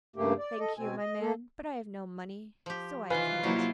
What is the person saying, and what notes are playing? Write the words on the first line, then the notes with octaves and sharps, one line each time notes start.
"Thank you, my man; but I have no money; so I can't."
G2 C#3 A3 A#3 G4
D5
A4 D#5
B2 C4 G#5
D#5
A#3 A4
F3 G4
C3 D#3 E3 F4 B4 F5 G#5
C3 F#3 A#3 C#4 D#4 E4